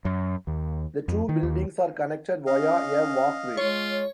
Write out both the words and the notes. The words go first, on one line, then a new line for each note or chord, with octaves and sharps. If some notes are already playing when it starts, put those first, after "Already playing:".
The two buildings are connected via a walkway.
F#2
D#2
F2
D#3
D#2
C#4 D#5 F5
G#3 F4 C#5